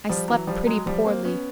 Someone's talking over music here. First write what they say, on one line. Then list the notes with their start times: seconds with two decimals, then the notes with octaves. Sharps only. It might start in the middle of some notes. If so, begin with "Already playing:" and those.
I slept pretty poorly.
0.09 F3 G3
0.28 E3 F#3
0.47 F3 G3
0.66 F#3 G#3
0.86 F3 G3
1.05 A#3 C4
1.25 B3 C#4